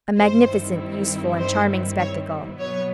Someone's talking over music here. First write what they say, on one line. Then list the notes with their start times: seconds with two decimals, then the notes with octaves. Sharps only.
A magnificent, useful, and charming spectacle.
0.17 G2 D#3 G3 C4 E4 C5
1.38 C5
1.99 C#5
2.60 B2 F#3 B3 C#5